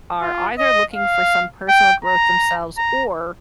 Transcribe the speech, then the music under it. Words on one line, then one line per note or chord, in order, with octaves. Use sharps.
are either looking for some personal growth themselves or,
F4
D#5
F5
G5
A#5
A#5